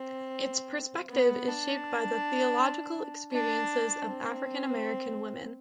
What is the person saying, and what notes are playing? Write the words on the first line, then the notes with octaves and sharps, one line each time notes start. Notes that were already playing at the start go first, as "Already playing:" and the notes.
Its perspective is shaped by the theological experiences of African-American women.
Already playing: C4
B3
D4
D4
C4